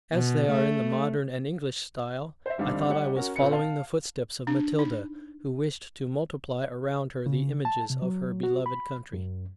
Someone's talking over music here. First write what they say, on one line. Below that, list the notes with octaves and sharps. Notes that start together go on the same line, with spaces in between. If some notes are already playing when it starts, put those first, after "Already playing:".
As they are in the modern and English style, I thought I was following the footsteps of Matilda, who wished to multiply around her the images of her beloved country.
B2
A3
C5 E5
G1 D#3 G3 C4 D4 F5
G3 D#4 G4 C#5 F#5
C#4 F#4 A#4
A#2 C4 C#4 B4 C#7
F5 A5
D4
D#4
C#3
A5
C3
F#3
F#4
B5
F#2